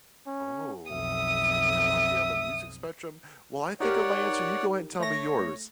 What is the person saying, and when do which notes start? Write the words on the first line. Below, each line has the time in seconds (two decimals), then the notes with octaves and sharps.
Oh, for coffee on the music spectrum. While I think of my answer, you go ahead and tell me yours.
0.27 C#4
0.92 B1 F2 E5 D#6
3.80 D#4 G4 A#4 C#5 D5 F#5
5.00 A3 C#5 A#6